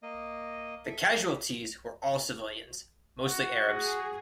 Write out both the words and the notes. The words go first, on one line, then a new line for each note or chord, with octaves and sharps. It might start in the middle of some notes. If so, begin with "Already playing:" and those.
The casualties were all civilians, mostly Arabs.
A#3 D#5
A4 E5
F#4
G#4